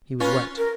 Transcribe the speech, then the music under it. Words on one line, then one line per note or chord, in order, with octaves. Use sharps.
He was wet.
C#4 F4 B4
A#4